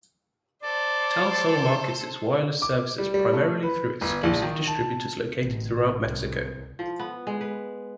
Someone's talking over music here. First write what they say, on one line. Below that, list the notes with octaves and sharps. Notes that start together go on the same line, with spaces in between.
Telcel markets its wireless services primarily through exclusive distributors located throughout Mexico.
A4 C5 D5
D6
G3
G3
A3
B4
G1
A#1
D#3
A5
A1
C2
F3
B3
G#3
B4